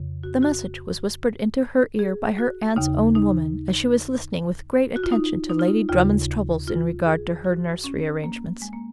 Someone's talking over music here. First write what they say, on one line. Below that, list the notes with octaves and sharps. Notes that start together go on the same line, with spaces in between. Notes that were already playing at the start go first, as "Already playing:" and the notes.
The message was whispered into her ear by her aunt's own woman as she was listening with great attention to Lady Drummond's troubles in regard to her nursery arrangements.
Already playing: F2 C#3
F#4
F#4
G#4
F#4
D#2 C#3 D#4
D#4
F#4
F4
D#4
D#4
F4
D#4
D#2 C#3 F4
F4
G#4
F#4
C#4
A#3
G#3
A#3